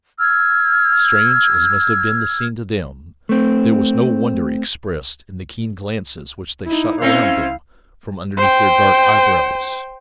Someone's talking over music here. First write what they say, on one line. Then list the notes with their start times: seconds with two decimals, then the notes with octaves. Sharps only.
Strange as must have been the scene to them, there was no wonder expressed in the keen glances which they shot around them from underneath their dark eyebrows.
0.18 E6 F6 G#6
3.29 A3 C4
6.66 D#4 E4
7.01 A3 C4 C#4 E4 F5
8.37 C5 G5